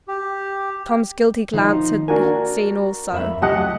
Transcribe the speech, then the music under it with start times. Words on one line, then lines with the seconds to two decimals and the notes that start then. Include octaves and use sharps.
Tom's guilty glance had seen also.
0.08 G4
1.53 D#3 F3 D#4
2.08 A#3 D4 F#4 G#5
3.13 F2 E5 B5
3.42 C#2 F#3 A3 G4 D#5 F#5